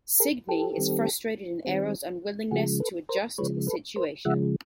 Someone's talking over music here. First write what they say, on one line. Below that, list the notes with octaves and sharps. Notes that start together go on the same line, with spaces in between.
Signe is frustrated in Eero's unwillingness to adjust to the situation.
G#4 A#4
G4 A4
D#3 G3 C4
D#3 G3 C4
C#3 F3 G#3 F#4 G#4
A4 B4
A#4 C5
C#3 F3 G#3 B4 C#5
A4 B4
A#4 C5
C#3 F3 G#3 E5 F#5